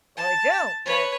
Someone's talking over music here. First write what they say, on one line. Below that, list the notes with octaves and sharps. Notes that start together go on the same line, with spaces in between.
"Well, I don't," but
A5
B4 C#5